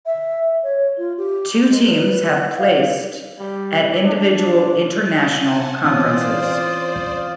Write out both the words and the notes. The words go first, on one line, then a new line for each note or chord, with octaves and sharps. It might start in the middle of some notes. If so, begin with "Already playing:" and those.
Two teams have placed at individual international conferences.
E5
C#5
F4
G4
G#3
B4
F#5
F5
G3
D4
F#5 G#5 A5
E3 C4 C#4 F4 C5 D5 D#6